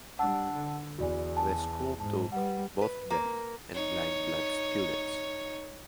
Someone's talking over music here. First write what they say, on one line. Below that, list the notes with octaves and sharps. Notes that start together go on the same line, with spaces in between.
The school took both deaf and blind black students.
G3 D4 F#5 A5 E6
D3
E2 F#4 D5 G#5
G#5 A5
G#2 A5
G3 B4 F#5
B4
A#3
D#4 C#5